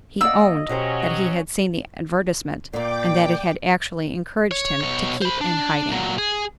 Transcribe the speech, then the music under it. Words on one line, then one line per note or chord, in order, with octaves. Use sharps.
He owned that he had seen the advertisement, and that it had actually encouraged him to keep in hiding!
A#3 D5 D#5 F#5 E6
B2 F#3 C#4 G4 C5
A#2 A#3 D5 G5 D6
C#5
B2 C#5
C5 B5
D4
A#2 F#3
G#4